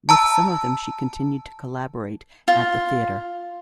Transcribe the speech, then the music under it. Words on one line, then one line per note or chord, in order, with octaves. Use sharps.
With some of them she continued to collaborate at the theatre.
A5 A#5 E6
F4